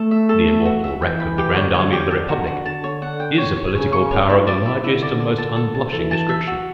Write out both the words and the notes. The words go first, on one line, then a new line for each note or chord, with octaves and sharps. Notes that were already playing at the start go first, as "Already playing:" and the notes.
The immortal wreck of the Grand Army of the Republic is a political power of the largest and most unblushing description.
Already playing: A3 A4
E5
A4
E5
F#4
E5
E3 G5
B5
G4
D3 C#5
C#5
G4
D3 A5
F#4
F#4
D3 A5
C#5
F#5
G5
C#5
C#5
C#3 C#5
C#6
C#5
E4
D5
E4
D3 E4
D5
D5
A5
A4
A5
E3 A4
A5
E5
F#4